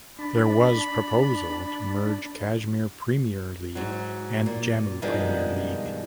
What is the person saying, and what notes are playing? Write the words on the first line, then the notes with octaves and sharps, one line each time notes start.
There was proposal to merge Kashmir Premier League and Jammu Premier League.
D4 B5
G#2 F#3
A#2
G2 B2 D#3 F3 G3 G#3